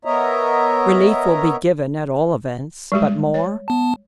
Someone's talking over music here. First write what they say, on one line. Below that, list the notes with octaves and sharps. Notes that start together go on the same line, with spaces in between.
Relief will be given at all events; but more?
B3 A#4 C#5 D#5 E5 A#5
G3 G#3 G4
C#5
B3 A5